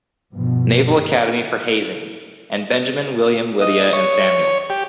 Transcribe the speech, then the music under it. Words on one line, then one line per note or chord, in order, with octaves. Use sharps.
Naval Academy for hazing; and Benjamin, William, Lydia, and Samuel.
G2 B2 F3
D#5
C#5
G4